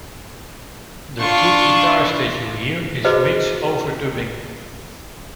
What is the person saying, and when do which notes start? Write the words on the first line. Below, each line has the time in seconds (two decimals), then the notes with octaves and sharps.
The two guitars that you hear is Mitch over-dubbing.
1.19 D4 F4 C6 C#6
3.05 E4 F#4 G#4 B4 C5 D#5